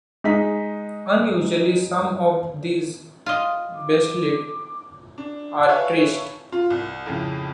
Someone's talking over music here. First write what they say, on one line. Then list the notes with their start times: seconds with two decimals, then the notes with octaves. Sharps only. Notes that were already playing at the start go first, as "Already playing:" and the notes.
Unusually some of these Bastles are terraced.
0.24 G#3 D#4 B6
3.26 F4 D#5
3.76 D6
5.18 D4
5.68 B4 C#5 E5 F5 G#5 A5
6.52 F4
6.70 C2
7.06 F2 A2 C#3